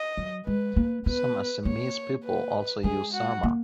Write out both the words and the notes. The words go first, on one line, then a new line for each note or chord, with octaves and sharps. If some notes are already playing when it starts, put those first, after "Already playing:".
Some Assamese people also use Sarmah.
Already playing: D#5
F#3
G#3 B4
A#3
B3 B4
A#3 C#5
B4
G#3 G#4
F#4
A#3